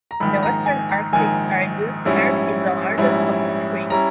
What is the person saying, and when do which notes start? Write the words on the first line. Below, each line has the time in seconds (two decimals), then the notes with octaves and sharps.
The Western Arctic caribou herd is the largest of the three.
0.11 A#5
0.20 A#1 G#2 D#3 B5
0.43 A#5
0.66 G#5
0.89 A#5
1.13 A#1 G#2 D#3 G#5
2.05 A#1 G#2 G3 C#4 E4
2.98 A#1 G#2 G3 C#4 E4
3.90 G3 C#4 E4 A#5